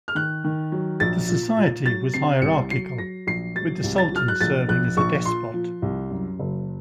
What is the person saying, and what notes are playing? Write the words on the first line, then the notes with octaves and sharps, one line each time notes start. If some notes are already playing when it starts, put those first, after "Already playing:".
The society was hierarchical, with the sultan serving as despot.
F6
D#3 F#6
D#3
F#3
A#1 A6
A#2
A#2
F#3 A6
C3 C7
C2 C#7
F#3 C7
F#3 A#6
A#1 C7
F#3 A6
C2
A6
F#3 F6
F#6
A#1 A6
A#1 F#6
A#1 C#6
A#2 C6
F3
C2
F#2
F#1